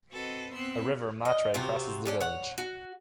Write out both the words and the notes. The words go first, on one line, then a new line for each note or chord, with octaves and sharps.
A river, Matre, crosses the village.
C4 F#4 A4 B4 D#5
B3 C4 C6 E6 F#6
D#5
C3 C4 F4 F#4
C#4 D4 G4
C#5 F#5
F#4